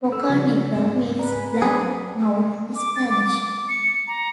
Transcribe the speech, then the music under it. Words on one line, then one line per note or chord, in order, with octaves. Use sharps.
"Boca negra" means "black mouth" in Spanish.
A4 E6
C#3 F3 G3 D4
G#2 G#4 D5
B4 D5 A#5
G#5
F#3 B3 C4 D4 G#4
D6
A6
D6
D6
C#7
A#5